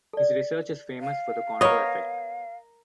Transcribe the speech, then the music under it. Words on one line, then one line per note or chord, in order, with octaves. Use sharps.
His research is famous for the Kondo effect.
A4 D5
F5
B3 A#4 C#5 D#5